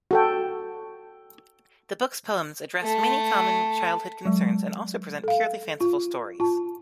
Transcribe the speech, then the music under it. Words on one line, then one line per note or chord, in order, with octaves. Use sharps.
The book's poems address many common childhood concerns and also present purely fanciful stories.
F#4 A4 G5
A3
F#3 G#3
A4 F5
F4
F4 A5